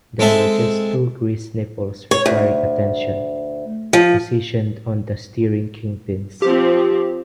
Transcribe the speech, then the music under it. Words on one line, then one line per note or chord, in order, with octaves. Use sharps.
There were just two grease nipples requiring attention, positioned on the steering kingpins.
G#3 C4 A4 E5
C#5
D2
F3
F3 C4 G4